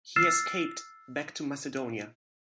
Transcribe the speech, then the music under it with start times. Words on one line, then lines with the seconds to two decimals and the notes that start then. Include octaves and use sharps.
He escaped back to Macedonia.
0.16 E6 F6 A6 C7 E7